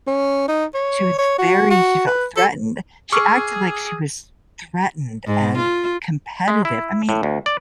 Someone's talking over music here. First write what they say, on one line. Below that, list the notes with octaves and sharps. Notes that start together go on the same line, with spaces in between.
She was very she felt threatened, she acted like she was threatened and competitive. I mean,
C#4
D#4
C#5
C#5
F#4
F#4
B4
A4
G#4 C#6 D6 E6 F6
G#2
F4
G#3
E4
A2
D2
D5